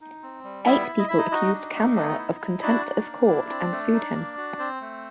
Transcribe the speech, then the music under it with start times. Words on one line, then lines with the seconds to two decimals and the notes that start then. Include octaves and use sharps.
Eight people accused Kamra of contempt of court and sued him.
0.01 D#4
0.22 C4
0.44 G3
0.66 B3 E4 E5
0.88 E4
0.99 D#5
1.08 E4 E5
1.18 D#4 D#5
1.32 D#4 F#4 D#5
1.53 D4
1.75 A3
1.97 B3
2.19 E4
2.41 E4
2.62 D4 F#4 D5
2.84 D#4
3.06 A#3
3.28 E4
3.50 C4
3.72 A3
3.93 D#4
4.15 A#3
4.37 F#4
4.59 C4 C5
4.81 A3